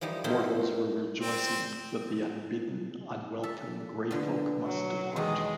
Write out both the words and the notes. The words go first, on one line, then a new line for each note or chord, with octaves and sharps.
Mortals were rejoicing that the unbidden, unwelcome grey-folk must depart.
E3 F3 G3 D#4
A#3 C4 D#4 E4 A4 C5
C4
A4 E5
B2 D3
F#3
E2 D#3 G#3 A4